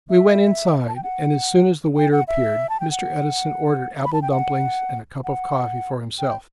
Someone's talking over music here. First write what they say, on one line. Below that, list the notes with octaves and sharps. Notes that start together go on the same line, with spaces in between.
We went inside and as soon as the waiter appeared Mr. Edison ordered apple dumplings and a cup of coffee for himself.
E5
A5
G5
F#5
G5
F#5
E5
A5
G5
F#5
B5
A5
G5
F#5
F#5
G5